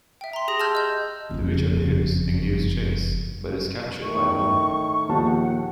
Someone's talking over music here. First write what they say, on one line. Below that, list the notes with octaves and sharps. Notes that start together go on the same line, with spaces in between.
The witch appears and gives chase, but is captured by Velma.
E5 G5
A#5 C6
G4 G#4 D#6 A#6
A5 C6 E6 F6 G6 G#6
D#5 G6
F#1 F2
A2 D#3 C#6
A#1 D#2 F#5 A5